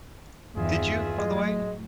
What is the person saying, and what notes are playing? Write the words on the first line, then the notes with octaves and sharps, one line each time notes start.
Did you, by the way?
E2 G2 D#3 E3 F4 G#4 E5
A2 F#3 G#3